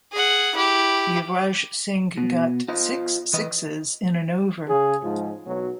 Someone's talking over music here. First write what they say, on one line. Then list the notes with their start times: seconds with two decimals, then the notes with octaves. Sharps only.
Yuvraj Singh got six sixes in an over.
0.12 G#4 F#5
0.55 E4 G4
2.17 B2
2.68 F4 C5 D#5
3.33 E3 B4 D#5
4.69 C#3 G#4
5.03 G#2 F3
5.47 B1 F#3